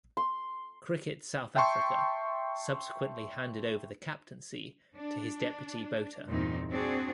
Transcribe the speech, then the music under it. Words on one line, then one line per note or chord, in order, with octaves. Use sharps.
Cricket South Africa subsequently handed over the captaincy to his deputy Botha.
C6
E5 G5 A5 C6 C#6
D4
E2 G2 A#2 C4 D#4
C4 D4 F#4 G#4